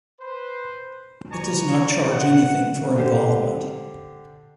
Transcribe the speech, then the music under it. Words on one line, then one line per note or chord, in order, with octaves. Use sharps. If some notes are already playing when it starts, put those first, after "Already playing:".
It does not charge anything for involvement.
B4 C5
B4 D5 G#5 A#5 C#6
F#5
D3 G4 C5